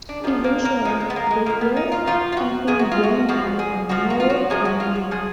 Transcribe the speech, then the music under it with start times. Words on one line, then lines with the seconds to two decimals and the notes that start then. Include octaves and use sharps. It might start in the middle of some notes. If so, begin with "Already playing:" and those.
Eventually, the "yes" campaign won by a narrow margin.
0.09 D4
0.24 G#2 F3 B3
0.44 A#3
0.65 A#3
0.85 A#2 F3 G#3
1.00 G#3
1.10 B3
1.16 A#3
1.31 G#3
1.46 A#2 F3 A#3
1.61 B3
1.76 D#4
1.92 F4
2.06 F#2 F3 F4
2.32 F4
2.37 F#4
2.67 F#2 F3 G#4
2.79 F#4
2.91 F4
3.03 F#4
3.29 F2 F3 F#4
3.59 G#4
3.89 F2 F3 F#4
4.10 F#4
4.20 F4
4.30 F#4
4.50 F#2 F3 G#4
4.65 F#4
4.80 F4
4.95 F#4
5.11 F3 G#4